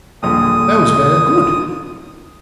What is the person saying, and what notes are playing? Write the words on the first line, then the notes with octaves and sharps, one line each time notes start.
That was very good!
D#1 A#1 D3 D#6